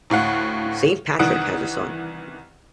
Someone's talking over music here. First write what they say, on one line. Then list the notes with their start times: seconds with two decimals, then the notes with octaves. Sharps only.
Saint Patrick has a son.
0.10 D2 A2 F5 F#5
1.19 C2 D#3 E3 F#5 D#6 D7